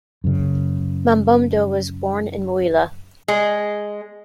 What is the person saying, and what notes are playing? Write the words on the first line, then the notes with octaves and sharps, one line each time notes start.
Mamboundou was born in Mouila.
F#2 C#3
G#3